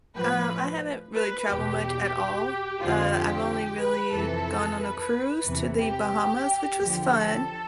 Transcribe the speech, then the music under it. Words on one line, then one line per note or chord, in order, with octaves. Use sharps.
Um, I haven't really traveled much at all. Uh, I've only really gone on a cruise to the Bahamas, which was fun.
A2 F3 B4
B4
E2 B2 G4
F2 D3 F3 F4
G4
B4
F2 C3 E3 A4
B4
E2 C3 E3
G4
E2 D3 F3
A4